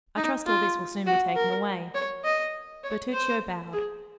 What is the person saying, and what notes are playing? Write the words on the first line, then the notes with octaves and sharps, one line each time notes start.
"I trust all this will soon be taken away." Bertuccio bowed.
D#4
F4
F#4
A#4
C#5
D#5
C#5
C5
G#4